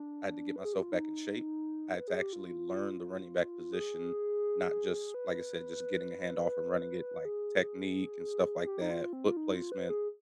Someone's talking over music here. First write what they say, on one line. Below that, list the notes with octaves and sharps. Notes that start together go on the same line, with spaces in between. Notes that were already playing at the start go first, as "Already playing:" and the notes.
I had to get myself back in shape. I had to actually learn the running back position, not just, like I said, just getting a hand off and running it, like, technique and stuff like that, foot placement,
Already playing: D4
B4
G#4
G4
F4
D#4
B4
G#4
G4
F4
G#4
B4
G#4
G4
D#4
F4
C4
F4
D#4
F4
B4
G#4